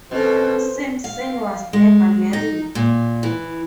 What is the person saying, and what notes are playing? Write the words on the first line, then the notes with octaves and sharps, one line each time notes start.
Simpson was never married.
B2 C4 C#4 A4 C5
F5
G#3
D#4
A#2
E3